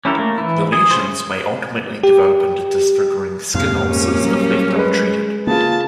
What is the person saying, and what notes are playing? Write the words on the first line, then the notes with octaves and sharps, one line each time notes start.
The lesions may ultimately develop into disfiguring skin ulcers if left untreated.
C#4 E4 G4 A4 A#4
A3 A#3
E3 E4
G#4
C#4 C5
G4
D#1 F2 G#2 C3 F5
A#3 C#4
F#3 G3
G#3 B4
C#3 A#3 F4 A5